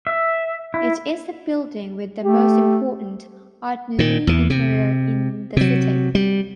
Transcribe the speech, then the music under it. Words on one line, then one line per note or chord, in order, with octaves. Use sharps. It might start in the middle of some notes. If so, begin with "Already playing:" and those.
It is the building with the most important Art Nouveau interior in the city.
E5
E4
A3 G4
A#2 D#3
E2 E3
C3
C3 F#3
G3